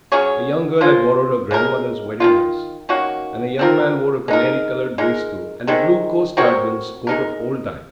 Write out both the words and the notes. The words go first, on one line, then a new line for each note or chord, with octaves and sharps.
A young girl had borrowed her grandmother's wedding dress, and a young man wore a canary-coloured waistcoat and a blue coastguardsman's coat of old time.
F#3 C#4 G#4 C#5
A#3 C#4 F4 C5
C#3 G#3 D#4 A#4
D#3 A#3 F4
D#3 A#3 C#4 F#4
C4 F4 A#4
G#3 D#4 A#4
G#3 D#4 A#4
C3 D#3 G#3
C4 F#4 A#4 C#5
G#3 D#4 A#4